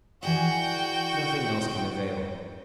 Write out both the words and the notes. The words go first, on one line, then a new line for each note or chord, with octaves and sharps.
Nothing else can avail.
E3 F#4 G#4 D5 G5